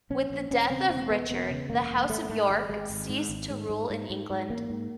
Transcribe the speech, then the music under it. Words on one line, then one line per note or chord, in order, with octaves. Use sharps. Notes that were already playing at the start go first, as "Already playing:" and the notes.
With the death of Richard, the House of York ceased to rule in England.
A#1 C#4
A#1
E1 C#4
C#3 C4
E1 C4
E1 B3
E1 B3
C#3
E1 A#3
E1
G#1 A3
A#3
G#2 A3
G#1 G#3
G#1 G#3
G#1
G#2
G#1
G#2
G#2
G#2
G#2
G#2
A1 A#3
G#2